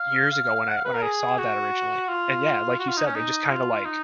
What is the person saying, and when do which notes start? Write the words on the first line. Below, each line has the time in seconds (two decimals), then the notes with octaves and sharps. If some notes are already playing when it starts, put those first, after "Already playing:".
years ago when I when I saw that originally. And yeah, like you said, they just kinda, like,
Already playing: F5
0.32 F5
0.44 F5
0.56 F5
0.68 F#5
0.77 F5
0.85 B4
0.94 A#4
1.03 G#4
1.38 F#4
2.09 F4
2.79 F#4
2.88 F4
2.97 D#4
3.06 C#4
3.15 D#4
3.50 F4
3.85 D#4